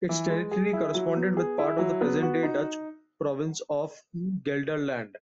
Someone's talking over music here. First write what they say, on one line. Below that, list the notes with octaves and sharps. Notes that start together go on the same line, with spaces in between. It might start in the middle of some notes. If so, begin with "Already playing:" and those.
Its territory corresponded with part of the present-day Dutch province of Gelderland.
E3
G#3
G#4
E4
F#3
B3
G#4
E4
F#3
B3
F#4
D#4